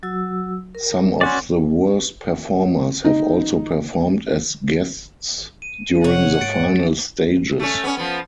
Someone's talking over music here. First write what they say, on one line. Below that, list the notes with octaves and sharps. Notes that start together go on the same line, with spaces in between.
Some of the worst performers have also performed as guests during the final stages.
F#3 F#4 E6
A#4
C#4 F#4 D5 G#5 C6
D#4
D#7
C3 C#4 C#5 F#5
G#2 A6 C#7 D7
A3 C#4
B3 C#4
F3 B3